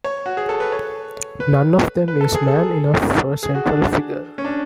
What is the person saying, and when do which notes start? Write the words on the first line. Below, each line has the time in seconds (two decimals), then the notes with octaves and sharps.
None of them is man enough for a central figure.
0.04 C#5
0.26 F#4
0.37 G#4
0.49 A4
0.60 B4
0.72 C#5
1.40 B4
2.08 B4
2.21 A4
2.35 G#4
2.48 A4
3.43 G#4
3.55 F#4
3.66 D4
4.38 C#4
4.44 D4